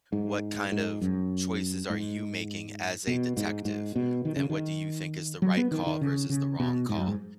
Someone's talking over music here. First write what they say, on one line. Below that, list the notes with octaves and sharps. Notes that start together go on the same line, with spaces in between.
what kind of choices are you making as a detective, and what do you think is the right call versus the wrong call.
G#2
G#2
F#2
G#2
B2
G#2
G#2
B2
D#3
C#3
D#3
F#3
B3
D#3
D#3
C#3
C#3
B2
G#2
F#2
G#2